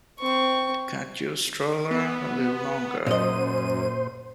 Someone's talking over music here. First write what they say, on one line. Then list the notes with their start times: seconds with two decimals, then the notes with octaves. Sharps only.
Can't you stroll around a little longer?
0.20 C4 C#6
1.91 B3
3.06 F#2 A#2 C5 D#5 D#7